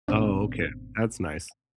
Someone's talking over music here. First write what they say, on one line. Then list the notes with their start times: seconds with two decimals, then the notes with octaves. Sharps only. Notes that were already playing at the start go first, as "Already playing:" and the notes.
Oh, okay. That's nice.
0.08 G#1 B2 C4 D4